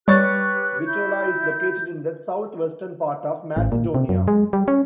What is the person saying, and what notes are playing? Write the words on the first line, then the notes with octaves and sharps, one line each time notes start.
Bitola is located in the southwestern part of Macedonia.
G3 G4 B4 C#5 C#6 F#6 A6
E4 G6
A1
A#2
C3
F#2
G#3
G3
C#4